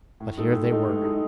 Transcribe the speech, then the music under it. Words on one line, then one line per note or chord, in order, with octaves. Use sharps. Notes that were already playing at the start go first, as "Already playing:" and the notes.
But here they were.
A2
G#3 D#4 A4
A2
G#3 D#4 A4
A2
G#3 D#4 A4